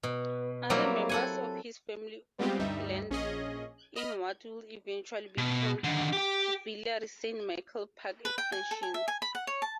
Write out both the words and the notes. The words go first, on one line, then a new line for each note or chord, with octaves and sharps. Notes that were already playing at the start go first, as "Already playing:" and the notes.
Other members of his family owned land in what would eventually be called Villeray-Saint-Michel-Parc-Extension.
B2
F#3 G3 A#3 C4 E4
A4 F#5 G#5
G3 G#3 B3 C4 F4 G4
D2 G2 G3 D#4 E5
A#1 C#4 G#4 D#5
D#5 B5 F6
B2
D3 D#3
G4 G5
B4
G5
G#5
A4
G#5
E5
G#5
B5
F#5
C#5
A5